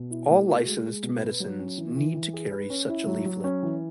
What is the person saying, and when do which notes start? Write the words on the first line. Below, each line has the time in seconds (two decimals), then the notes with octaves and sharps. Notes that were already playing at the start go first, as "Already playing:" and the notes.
All licensed medicines need to carry such a leaflet.
Already playing: B2
0.11 E4
0.30 A3
0.48 F#4
0.66 G#3
0.85 G#3
1.03 B2
1.22 B4
1.40 F#3
1.59 C#4
1.78 E3
1.96 E3
2.15 E3
2.33 G#4
2.51 B4
2.70 C#4
2.89 E4
3.07 F#3
3.25 F#3
3.44 C#4
3.63 E3